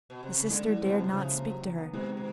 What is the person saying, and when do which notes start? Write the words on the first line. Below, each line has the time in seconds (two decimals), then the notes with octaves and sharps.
The sister dared not speak to her.
0.10 B2
0.23 C3
0.37 C#3
0.50 D3 G#3
0.67 E3
0.82 B2 C4
0.97 C3 F3
1.13 C#3
1.30 A#3
1.46 F#3
1.61 D#3
1.78 B3
1.93 B2 G#3
2.10 D#3
2.17 B2